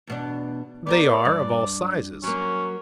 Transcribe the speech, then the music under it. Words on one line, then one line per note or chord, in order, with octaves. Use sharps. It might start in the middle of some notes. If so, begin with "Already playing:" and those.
They are of all sizes.
E2 B2 D4
B3 G4 A#4 D5
G2
F#3 A#3 C#4